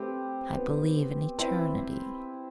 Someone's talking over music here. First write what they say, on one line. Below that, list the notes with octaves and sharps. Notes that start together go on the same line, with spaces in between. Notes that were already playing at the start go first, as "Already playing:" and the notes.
I believe in Eternity.
Already playing: A3 C4 G4 B4
B3
B3
C4 E4 B4